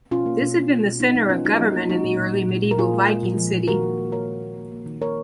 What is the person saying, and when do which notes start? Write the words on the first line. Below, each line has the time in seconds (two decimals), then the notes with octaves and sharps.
This had been the centre of government in the early medieval Viking city.
0.11 B2 C#4 F4
0.26 A#3
0.41 B2
0.56 A#3
0.71 B2
0.85 B2
1.00 B2 B3 D#4
1.15 F#3 B3 D#4
1.30 A#3 C#4 F4
1.45 F#3 D#4 F#4
1.60 F#3
1.75 A#3
1.89 G#3 D#4 F#4
2.04 A#2
2.19 A#2
2.34 A#2
2.49 A#2
2.64 A#2
2.71 A#4
2.78 A#2 F4 G#4
2.94 G#3
3.08 G#3
3.23 A#2
3.38 F3
3.52 A#2
3.68 D#3 F#4 A#4
3.83 A#3
3.98 A#3
4.12 A#3 A#4 C#5
4.27 A#3
4.42 A#3
4.57 A#3
4.72 A#3
4.86 D#3
5.01 A#3 A#4 C#5